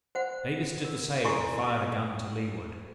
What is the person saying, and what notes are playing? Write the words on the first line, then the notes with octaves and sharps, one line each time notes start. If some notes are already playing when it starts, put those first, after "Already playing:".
Davis did the same, and fired a gun to leeward.
C5 F#5
A#4
E4 A4 D5 G#5 C6 C#6